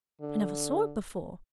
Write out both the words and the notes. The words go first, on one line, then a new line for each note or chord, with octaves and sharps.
I never saw it before.
D3